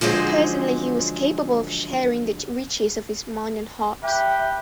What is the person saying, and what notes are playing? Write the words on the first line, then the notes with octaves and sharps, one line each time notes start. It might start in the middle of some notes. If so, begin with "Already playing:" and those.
Personally he was capable of sharing the riches of his mind and heart.
D3 F3 F#3 G#3 C5
G4 B4 E5 G5